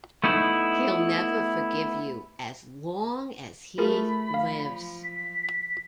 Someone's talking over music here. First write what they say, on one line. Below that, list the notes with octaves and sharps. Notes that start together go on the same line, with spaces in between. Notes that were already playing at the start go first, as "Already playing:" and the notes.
He'll never forgive you as long as he lives.
A3 B3 D#4 E4
A3 F4 G#4 A#4 B5
F3 F5
B6